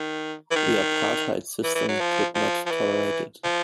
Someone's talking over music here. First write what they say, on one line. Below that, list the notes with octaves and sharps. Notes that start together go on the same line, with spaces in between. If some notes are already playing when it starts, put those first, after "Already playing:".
The apartheid system could not tolerate it.
Already playing: D#3
E3
D#3
E3
E3
F#3
F3
F3
F3
E3
F3